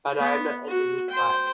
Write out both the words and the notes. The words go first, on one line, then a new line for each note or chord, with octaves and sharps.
But I am not ending this fight.
B3
F#4
C5 G5